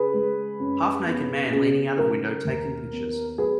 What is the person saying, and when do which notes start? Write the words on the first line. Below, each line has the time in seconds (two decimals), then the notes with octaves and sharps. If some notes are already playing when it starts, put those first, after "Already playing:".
Half naked man leaning out of window taking pictures.
Already playing: C#3 G#4 B4
0.14 G#3
0.60 F#2
1.06 B3
1.53 C#3 G#4
1.99 F#3 A#4
2.45 D#2
2.92 B3
3.38 F#3 G#4 B4